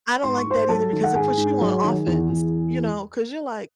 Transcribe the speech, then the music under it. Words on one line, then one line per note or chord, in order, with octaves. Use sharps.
I don't like that either because it puts you on offense, you know, 'cause you're like,
G#2 C6
C#6
G#2 C5 C6
F#3 A4 A5
D#3
F#5
G#2 G#4 G#5
G#2
F#3
D#3
E2
E2